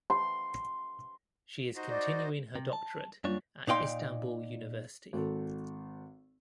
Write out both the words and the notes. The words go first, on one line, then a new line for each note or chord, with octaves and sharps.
She is continuing her doctorate at Istanbul University.
C6
D#4 F#4 C5
D5
C3
A5
F#2 G3 A#3 D4 F4 C#5
A#2 D#4 F5 G5 C6
G#1 A4